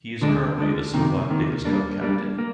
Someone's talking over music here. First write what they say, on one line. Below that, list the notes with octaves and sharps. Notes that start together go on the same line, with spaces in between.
He is currently the Slovak Davis Cup captain.
D2 D3 G#3 D4
D2 D3 G#3 D4
C3 D#3 A#3
C3 D#3 A#3
G3 A#3 D4
G3 A#3 D4
A#3